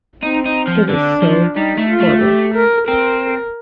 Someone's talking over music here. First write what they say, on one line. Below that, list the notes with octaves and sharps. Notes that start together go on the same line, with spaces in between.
It is so horrible.
C4 D#4
D#4
F3
D3 D4
F3
G3 D#4
A3
F4
A3
G4
A#4
C4 A#4